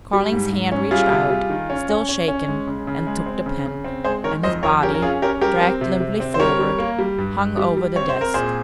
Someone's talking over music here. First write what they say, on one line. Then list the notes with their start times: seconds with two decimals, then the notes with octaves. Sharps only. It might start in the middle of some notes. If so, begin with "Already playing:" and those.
Carling's hand reached out, still shaking, and took the pen; and his body, dragged limply forward, hung over the desk.
0.13 G3
0.32 G#2
0.52 G#2
0.72 C#4
0.91 G3 F4 G#4
1.10 C3
1.30 G3
1.50 D#3
1.70 C#4
1.89 C#4
2.09 C#4
2.28 C#4
2.48 G#3
2.67 C#3
2.87 C#3
3.07 G#3
3.26 C4
3.46 C#3
3.66 C#3
3.84 C4
4.04 G#3 G#4 C5
4.24 D#3 A#4 C#5
4.43 F2 C5 D#5
4.63 F2 A#4 C#5
4.83 C#4 G4 A#4
4.94 A#4
5.02 C#4 F4 G#4
5.22 C#4 G4 A#4
5.41 G3 G4 A#4
5.61 C4
5.81 C3
6.00 C3
6.20 C4
6.34 C5
6.40 G3 A#4 C#5
6.59 G3
6.79 A#3
6.99 G3
7.18 G2
7.38 G2
7.57 G3
7.77 G3
7.96 C4 C#5
8.09 C5
8.16 C4 A#4
8.34 A#2 G#4 C5